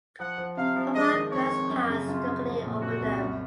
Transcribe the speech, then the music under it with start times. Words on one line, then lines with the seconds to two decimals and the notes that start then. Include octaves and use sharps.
Profiled belts pass directly over them.
0.20 F3 F#5
0.38 F3
0.57 C3 F5
0.76 F3
0.94 G#3 D#5
1.13 D#3
1.32 F2 C#5
1.50 F2
1.69 F#2
1.89 C#3
2.07 F#2 F4
2.25 C#3
2.44 F3
2.63 A#2
2.81 A#2 F#4
3.01 C2
3.19 F#2